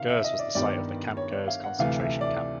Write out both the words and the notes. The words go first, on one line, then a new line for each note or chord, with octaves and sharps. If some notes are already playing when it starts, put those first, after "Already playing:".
Gurs was the site of the Camp Gurs concentration camp.
Already playing: C3 D#3 F5
E5
D#5
D5
G2 D#3 G3 B3 D5
C#5
C#5
F5
F#5
D2 C3 E3 A3 F5
E5
D5